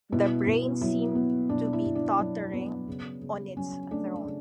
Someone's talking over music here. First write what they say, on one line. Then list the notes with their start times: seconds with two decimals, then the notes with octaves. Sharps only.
The brain seemed to be tottering on its throne.
0.12 B2 E4
0.47 B2
0.81 F#3 E4
1.15 B3
1.49 B2 D4
1.73 E4
1.85 B2
1.95 D4
2.19 F#3 D4
2.53 B3
2.88 C#3
3.22 C#3
3.56 F#3 C#4
3.91 A3 D4
4.24 C#3